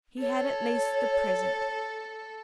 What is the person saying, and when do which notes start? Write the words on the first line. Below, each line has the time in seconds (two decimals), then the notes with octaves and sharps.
He had at least the present!
0.21 A4 C#5